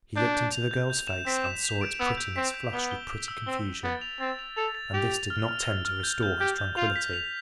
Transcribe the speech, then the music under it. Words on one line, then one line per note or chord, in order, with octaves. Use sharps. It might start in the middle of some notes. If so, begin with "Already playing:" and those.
He looked into the girl's face and saw its prettiness flush with pretty confusion, and this did not tend to restore his tranquillity.
D4 G6
G6
F7
G6
G6
E7
C4 B6
E7
F7
D7
B3 E6
G6
C4 B6
G6
B3 G7
G7
E7
E6
C4 G7
G7
B3 A6
F7
C4 A6
F7
A4 F7
A6
G4 F7
F7
F6
F6
F6
F6
G6
G6
G4 G6
G6
F4 F7
B6
F7